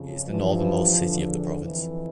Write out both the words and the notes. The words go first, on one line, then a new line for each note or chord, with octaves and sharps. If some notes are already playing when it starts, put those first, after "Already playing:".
It is the northernmost city of the province.
Already playing: F2 C#3
G2 E3 F3
E2 D3
F2 E3